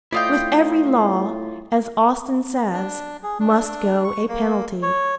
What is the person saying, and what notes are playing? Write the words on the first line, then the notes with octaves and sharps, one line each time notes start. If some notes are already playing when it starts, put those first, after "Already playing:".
With every law, as Austin says, must go a penalty.
A2 E4 F4 D5 D#5 F5 G5
D4
G#4
D4
C#6
A#3
C#5